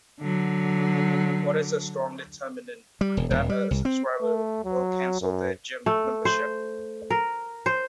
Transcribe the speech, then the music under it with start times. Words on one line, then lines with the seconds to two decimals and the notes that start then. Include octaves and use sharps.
What is a strong determinant that a subscriber will cancel their Gym membership?
0.21 D3 F#3
3.01 G3
3.17 E1
3.31 D#1
3.49 G3
3.71 C2
3.85 C4
4.21 A3
4.65 F#3
5.21 F#2
5.86 A3
6.25 C5
7.10 A#4
7.66 C5